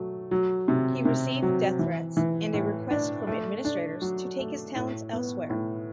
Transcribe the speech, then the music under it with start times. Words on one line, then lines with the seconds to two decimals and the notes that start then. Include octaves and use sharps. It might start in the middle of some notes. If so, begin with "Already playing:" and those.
He received death threats and a request from administrators to take his talents elsewhere.
Already playing: F#3 A3
0.31 F#3
0.68 C3
1.05 C3
1.42 F#3
1.79 E3
2.17 E3
2.54 A2
2.91 D4
3.27 A3
3.65 D4
4.02 F#3
4.39 A3
4.75 A2
5.13 B3
5.50 A2